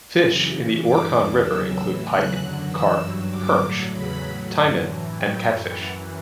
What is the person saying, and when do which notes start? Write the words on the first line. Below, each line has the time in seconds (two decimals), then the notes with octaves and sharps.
Fish in the Orkhon river include pike, carp, perch, taimen and catfish.
0.18 F#2 C#3 E3
0.50 A2 E3
0.80 G2 E3 D6
1.11 E2 C#3 E3
1.42 E2 C#3 F#3 E6
1.73 A2 E3 E6
2.04 E2 C#3 F#3 F#6
2.35 F#2 D3 F#3
2.66 F#2 E3 E6
2.97 G2 F#3
3.27 G2 D3 F#3 D6
3.59 A2 F#3
3.89 E2 C#3 F#3 B5
4.21 A2 F#3
4.51 F#2 D3 F#3
4.82 A2 E3
5.14 A2 F#3 G5
5.44 F#2 E3
5.75 F#2 E3 F#5